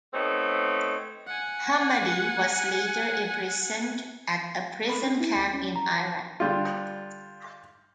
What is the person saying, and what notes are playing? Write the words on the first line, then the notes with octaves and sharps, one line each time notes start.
Hammadi was later imprisoned at a prison camp in Iraq.
A3 B3 C4 D#4 C#5
F#5 G#5
B5
C#4
E4
D2
C#4
A#5
A5
D3 G3 F4